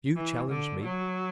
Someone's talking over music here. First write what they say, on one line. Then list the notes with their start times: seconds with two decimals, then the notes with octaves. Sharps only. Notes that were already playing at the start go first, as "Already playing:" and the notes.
You challenged me.
0.16 E3
0.50 D3
0.84 F#3